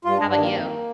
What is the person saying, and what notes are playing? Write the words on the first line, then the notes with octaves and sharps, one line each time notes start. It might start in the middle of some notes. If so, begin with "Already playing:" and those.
How 'bout you?
G2 F4
D4
G2
D4
D#3 A#3
F2